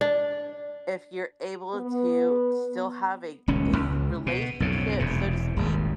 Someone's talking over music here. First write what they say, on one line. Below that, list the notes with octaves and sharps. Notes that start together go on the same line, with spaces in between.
if you're able to still have a a relationship, so to speak,
D4
B3
D#1 C#2 C#4
C#2
B2
B1 F2 C#3
E1 E2 C3
D#1 G#1 D#2